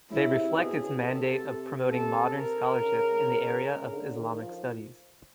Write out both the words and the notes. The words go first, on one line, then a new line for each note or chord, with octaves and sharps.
They reflect its mandate of promoting modern scholarship in the area of Islamic studies.
C#3 E4
C3
B2 G#4
C#3
C3
B2 A4
C3
A4
A#4
C#3
C#3
D3
D#3
F3